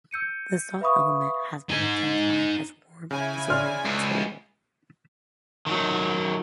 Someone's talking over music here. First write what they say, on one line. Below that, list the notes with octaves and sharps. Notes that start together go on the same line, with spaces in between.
The soft element has been identified as warm absorbing material.
E6 G6 C#7 D#7
B4 E5 F5 B5 C#6 D#6
D#4 G#5
C#3 E4 G#5
D5 C6 F6
C#2
D#3 F#3